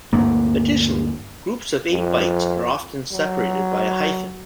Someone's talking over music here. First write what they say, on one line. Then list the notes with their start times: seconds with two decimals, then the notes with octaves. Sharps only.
Additionally, groups of eight bytes are often separated by a hyphen.
0.13 D2 G2 A#3
1.91 F2
3.12 F#3